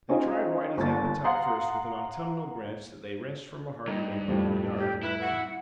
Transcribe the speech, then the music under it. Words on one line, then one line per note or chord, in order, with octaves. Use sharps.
They tried Whitey's appetite first with an autumnal branch that they wrenched from a hardy maple in the yard.
C4 C#4 D#4 F4 G#4
G1 A#3 A6
F5 F#5 A#5 C6 D#6
G2 D#4
F2 A2 G3 C4
G4
E4 B4
F#5